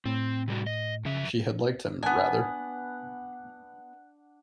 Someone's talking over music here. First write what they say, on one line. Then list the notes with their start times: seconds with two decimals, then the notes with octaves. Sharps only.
She had liked him — rather.
0.06 A2 C4
0.48 C3 G3 F#4
0.67 D#5
1.05 F#2 C#3 F3 E5
2.03 B3 D4 F#5 G#5